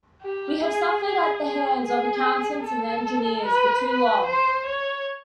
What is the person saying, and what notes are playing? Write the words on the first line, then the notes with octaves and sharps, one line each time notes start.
We have suffered at the hands of accountants and engineers for too long.
G4
G#4
G#4
G#4
G#4
A4
B4
B4
C5
C#5